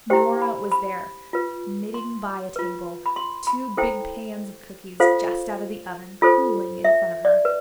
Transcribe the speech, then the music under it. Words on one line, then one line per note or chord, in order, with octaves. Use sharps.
Nora was there knitting by a table, two big pans of cookies just out of the oven cooling in front of her.
E4 G4 C5 G5
B5
B5
F4 B4
C6
F4 B4
B5
C6
B5
E4 A4 C5 G5
F4 A4 C5 F5
F4 A4 C5
E5
D5
B4